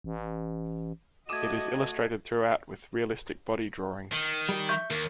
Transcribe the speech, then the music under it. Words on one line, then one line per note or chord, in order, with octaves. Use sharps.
It is illustrated throughout with realistic body drawings.
A1
A3 F#4 D#5 D6 D#6 G#6 D#7 E7
D#3
G3
E5 C#6 G6
D#2 A#4